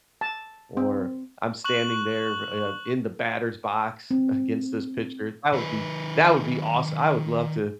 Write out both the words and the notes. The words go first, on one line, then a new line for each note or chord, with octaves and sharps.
or I'm standing there, uh, in the batter's box against this pitcher that would be that would be aweso I would love to
A5
C4
C#6 F#6 F#7
C4
D#3 B4